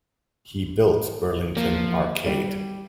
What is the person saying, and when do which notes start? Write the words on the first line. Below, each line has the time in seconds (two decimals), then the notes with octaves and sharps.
He built Burlington Arcade.
1.57 F3 A#3
2.26 G3